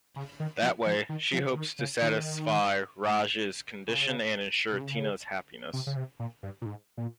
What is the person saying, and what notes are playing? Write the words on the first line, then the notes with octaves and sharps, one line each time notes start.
That way, she hopes to satisfy Raj's condition and ensure Tina's happiness.
C#3
D#3
F3
F3
D#3
F3
C#3
D#3
C#3
D#3
C#3
C3
C#3
C3
C#3
C3
A#2
G2
A#2
G#2
A#2